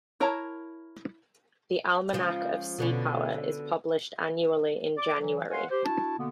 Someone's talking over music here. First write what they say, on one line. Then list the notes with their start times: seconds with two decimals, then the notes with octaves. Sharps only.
The "Almanac of Seapower" is published annually in January.
0.20 E4 A#4 C#5 A5 A#5
2.13 C#3 F3 G#3
2.79 B2 D3 C#4
4.96 D5 D6
5.19 E3 F#3
5.51 C#5 D#5 F5 F#5 G#5 C6
5.69 G4 C5
5.84 D4 E4 F#4 A5
6.17 B2 D3 A#3 B3